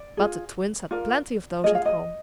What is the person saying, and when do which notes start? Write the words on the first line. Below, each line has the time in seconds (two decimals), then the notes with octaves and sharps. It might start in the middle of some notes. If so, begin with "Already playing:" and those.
But the Twins had plenty of those at home.
Already playing: D5
0.17 F4 G#4
0.91 F4 A#4 D5
1.64 F4 G#4 D#5
1.75 F5
1.86 D#5